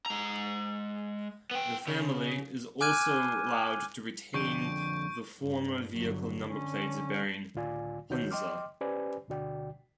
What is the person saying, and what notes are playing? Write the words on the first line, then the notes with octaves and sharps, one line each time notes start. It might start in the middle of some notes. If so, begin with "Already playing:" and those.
The family is also allowed to retain the former vehicle number plates bearing 'Hunza'.
G#3 A#5
B3 G5
C#3
G#5 D6 F6 F#6 G#6 D#7
F2 D3 C#6 G6 D7
G2
G1 F#3
D3 C#4
C#2 A2 D3 F4 D5 G#5
D2 D#3 D#4 F#4 C#5 G6
D#5 G5 C6 D6 F6
C#4 G4 B4 C5 D5 G#5
D2 B2 D3 F#4 D5 G5